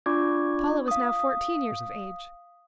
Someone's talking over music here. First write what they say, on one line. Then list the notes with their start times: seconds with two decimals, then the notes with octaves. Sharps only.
Paula was now fourteen years of age.
0.06 D4 F4 D5 C#6 D6 G#6
0.88 F5 D#6